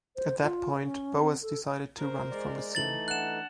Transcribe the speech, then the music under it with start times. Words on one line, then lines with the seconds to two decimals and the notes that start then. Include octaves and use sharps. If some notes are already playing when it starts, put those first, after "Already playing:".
At that point, Boas decided to run from the scene.
0.16 C5
0.42 F4
0.81 C#4
1.21 C4
1.42 A4
1.97 A#4 C5
2.30 G#3 D5
2.75 E3 A3 D#4 A6 F#7
3.08 D4 F#5 F#6 E7